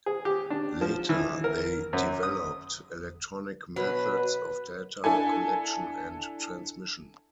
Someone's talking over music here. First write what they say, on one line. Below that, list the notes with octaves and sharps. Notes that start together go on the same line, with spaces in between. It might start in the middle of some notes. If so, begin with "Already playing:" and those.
Later they developed electronic methods of data collection and transmission.
G#4
G4
D4
F3
E3
A#4
F#2
D#6
B2 F#3 B4
D4 E4 A4 G#5